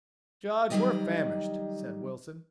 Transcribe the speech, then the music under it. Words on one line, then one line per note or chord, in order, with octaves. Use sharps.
"Judge, we're famished," said Wilson.
D#3 F#3 G3 G4 D5 D#5